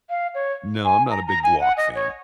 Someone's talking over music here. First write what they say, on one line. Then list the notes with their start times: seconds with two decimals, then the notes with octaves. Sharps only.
No, I'm not a big guac fan.
0.09 F5
0.34 C#5
0.85 G#5
1.10 A#5
1.27 A#5
1.43 G#5
1.60 F#5
1.77 D#5
1.95 C#5